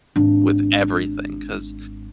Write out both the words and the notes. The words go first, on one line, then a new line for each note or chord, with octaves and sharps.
with everything 'cause,
G#1 D4